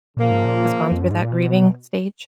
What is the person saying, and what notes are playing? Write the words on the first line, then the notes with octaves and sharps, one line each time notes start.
has gone through that grieving stage?
A#2 C#3 F3 A#3
G#2
A#2
F2
F#2
G#2
A#2
B2